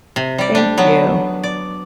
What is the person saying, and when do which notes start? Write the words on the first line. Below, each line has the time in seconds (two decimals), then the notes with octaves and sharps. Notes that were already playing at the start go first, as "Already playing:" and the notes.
Thank you.
0.16 C3
0.38 G3 D5
0.55 D4 G4
0.78 F#3 B3
1.43 D5